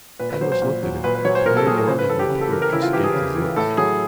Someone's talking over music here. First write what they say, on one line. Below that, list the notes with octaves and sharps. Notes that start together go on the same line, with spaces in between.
Hatteras looked at him, but no word of reproach escaped his lips.
A#2 B4
B4
F#3 C5
C5
A#2
F#3
A#2 B4
B4
F#3 C#5
C5
A#2 A#4
A4
F#3 G#4
A#4
C#3 C5
B4
E3 A4
G4
C#3
A4
E3 A#4
A#4
C#3 E4
F4
E3 G4
G#4
C#3
E3
A2 A4
F#3 G#4